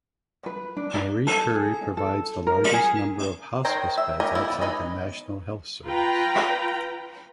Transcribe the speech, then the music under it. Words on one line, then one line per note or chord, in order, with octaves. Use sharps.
Marie Curie provides the largest number of hospice beds outside the National Health Service.
B4
D4
A4
G#4
A4
A#4
G#4
D#3 C5 C#5 G5 A#5
E5
G4 A#4 C#5 D#5
F3 G3 B3 E4
D#4 B4 C#5 D#5
F4 B4 G5 A#5